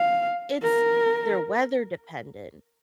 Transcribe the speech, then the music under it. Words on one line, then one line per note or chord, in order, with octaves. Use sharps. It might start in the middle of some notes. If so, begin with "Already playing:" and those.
It's they're weather-dependent.
Already playing: F5
A#4